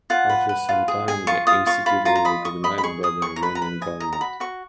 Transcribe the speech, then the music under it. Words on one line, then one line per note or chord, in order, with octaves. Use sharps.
After some time the institute was recognized by the Romanian government.
F4 F#5
B4
B4
F4
G#4
G#4 G#5
F4 C#6
F4 D#6
F4 C#6
F4 B5
F4 A#5
A#5
D#5 B5
D#5 C#6
D#5 B5
B5
G#4 C#6
G#4 D#6
G#4 C#6
A#5
B4 B5
A#5
B4 B5
D#5 G#5
D#5 A#5
A#5
F#4 B5
F#4 C#6